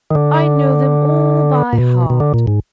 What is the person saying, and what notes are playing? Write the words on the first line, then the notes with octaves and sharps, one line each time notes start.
I know them all by heart.
D#3
D3
A#2
B2
B2
D3
A#2
G#2